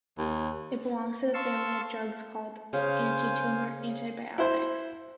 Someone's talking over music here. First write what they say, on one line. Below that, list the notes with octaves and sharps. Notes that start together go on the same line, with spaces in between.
It belongs to the family of drugs called antitumor antibiotics.
D#2
F5 A5 C6 C#6 E6
C#3 C5 F5 G#5
E4 C5